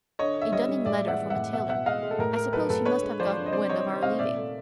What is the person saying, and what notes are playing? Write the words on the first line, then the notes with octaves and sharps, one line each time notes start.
"A dunning letter from a tailor; I suppose he must have got wind of our leaving."
D3 C#5 D#5
D3
E5
G3 C#5 D#5
G3
A2 D5 E5
G#3 E5 F#5
E3
E5 F#5
A2
B2 E5 F#5
B2 E5 F#5
G#3 D#5 F5
G#3
A4
A2 A#4
A3 A#4
F#3 A4 B4
A2 A4 B4
D3 B4 C#5
G#3
F3 C5 D5
D3
D#5
C3 C5 D5
G3 C#5 D#5
D#3
C3 D#5 F5
A#2 D5 E5
A3